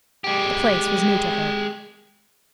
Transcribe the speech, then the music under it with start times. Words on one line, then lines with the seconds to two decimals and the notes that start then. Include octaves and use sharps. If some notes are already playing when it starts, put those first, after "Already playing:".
The place was new to her.
0.24 G#3 G4